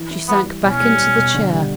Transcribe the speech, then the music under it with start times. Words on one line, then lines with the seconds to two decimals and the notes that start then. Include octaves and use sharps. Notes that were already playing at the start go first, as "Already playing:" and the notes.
She sank back into the chair.
Already playing: E3
0.11 E4
0.28 G3 B3
0.46 E4
0.64 B2 C#4
0.81 G3
0.99 B2
1.16 B2
1.34 D3
1.52 G3